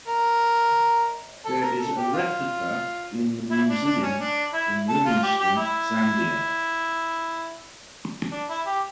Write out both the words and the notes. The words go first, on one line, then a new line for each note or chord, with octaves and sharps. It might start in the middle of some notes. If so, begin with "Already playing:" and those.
There is a replica in the Museum in Livingstone, Zambia.
A#4
A4
A#4
A4
G4
F4
E4
D4
D4
C#4
D4
E4
A4
F4
G4
G4
E4
D4
E4
G4